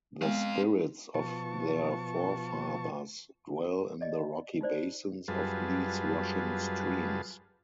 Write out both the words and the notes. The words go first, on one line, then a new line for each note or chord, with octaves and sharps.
The spirits of their forefathers dwell in the rocky basins of these rushing streams.
G#3 B3 C4 F5
B2 F3 A5 C#6
D5 D#5
D#4 F4 C5 D5
F#2 G3 F4 G#4 B4 A5